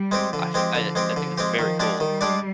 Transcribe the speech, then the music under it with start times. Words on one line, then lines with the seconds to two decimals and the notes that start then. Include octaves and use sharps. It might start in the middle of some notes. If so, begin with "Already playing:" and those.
I f I, uh I think it's very cool.
Already playing: G3
0.11 G#3 C4 G4
0.33 D3 F3
0.54 G#3 C4 G4
0.75 D3
0.95 G#3 C4 G4
1.16 D3
1.38 G#3 C4 G4
1.58 D#3 F3
1.80 G#3 D4 G4 D5
2.00 D#3 G3
2.21 G#3 D4 G4 D5